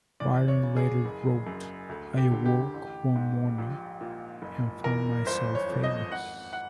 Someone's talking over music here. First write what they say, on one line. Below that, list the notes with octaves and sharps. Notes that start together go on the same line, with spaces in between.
Byron later wrote, "I awoke one morning and found myself famous".
E2 D5
C#5
C#3
G#4
F#1
F#2
D2
G4
D3
G4
A1
G#2
A#1
A#2
F#1
E2 A#4
G1 C5
C#5
F2
D#5
G#1 F#5
F#5